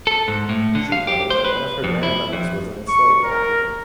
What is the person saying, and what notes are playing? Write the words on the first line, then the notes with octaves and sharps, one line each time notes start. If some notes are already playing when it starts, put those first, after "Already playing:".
She claims that one of her grandmothers was an enslaved African.
A4
G#2
A2
D3
F5
G4
C5
B4
F2
E4
F2
C#6
A#4